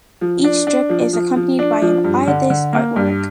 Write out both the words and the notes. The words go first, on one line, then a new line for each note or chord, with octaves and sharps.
Each strip is accompanied by a Buy This Artwork!
F3
D4
D4
F3
F3
F3
D4
F3
G2
D3
D3
A#3
G2